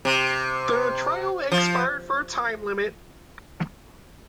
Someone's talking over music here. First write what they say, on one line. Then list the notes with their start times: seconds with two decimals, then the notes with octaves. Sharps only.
The trial expired for time limit.
0.05 C3
1.52 F3